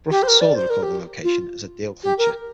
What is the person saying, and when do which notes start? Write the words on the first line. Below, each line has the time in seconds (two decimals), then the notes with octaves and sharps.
Bruford saw the recording location as "a deal clincher".
0.10 G4
0.22 C5
0.27 A#4
0.41 D5
0.55 C5
0.69 A#4
0.82 G4
1.23 F4
2.03 G4
2.18 A#4